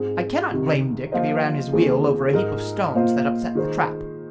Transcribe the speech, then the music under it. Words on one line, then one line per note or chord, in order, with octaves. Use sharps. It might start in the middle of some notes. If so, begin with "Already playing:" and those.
I cannot blame Dick if he ran his wheel over a heap of stones that upset the trap.
Already playing: G#2 G#3 C4
C2 C3 D#3
F3 A#3 F4 C5 D#5
D#2 D#3 G#3 C4 G#4
G#2 G#3 D#4 A#4
A#2 A#3 F4 C5 D#5
D#3 G#3 D#4 C5